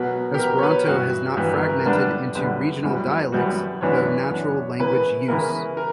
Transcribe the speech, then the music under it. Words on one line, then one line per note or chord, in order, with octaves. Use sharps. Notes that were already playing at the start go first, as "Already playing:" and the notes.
Esperanto has not fragmented into regional dialects through natural language use.
Already playing: B2 F#3 B3 F#4 A#4 B4
G4
B2 F#3 B3 F#4 A#4 B4
C#5
B4
G2 E3 B3 F#4
G2 E3 B3 G4
A#4
A#4
F#2 D3 G3 B3 D4 B4
F#2 D3 G3 B3 D4
F#2 E3 G3 B3 F#4
F#2 E3 G3 B3 F#4
F#2 E3 B3 D4 C#5
F#2 E3 B3 D4
C#3 E3 B3 E4 A#4 B4
C#3 E3 B3 E4 A#4
A#4